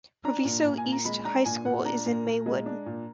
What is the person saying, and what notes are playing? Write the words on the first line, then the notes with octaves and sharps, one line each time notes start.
Proviso East High School is in Maywood.
D4 A#5
A#2
A#2
G#5
A#2
A#5
G#3 B5
D4 A#5
A#2 G#5
A#2 F#5
D4 A#5
A#2
A#2
G#3
D4
A#2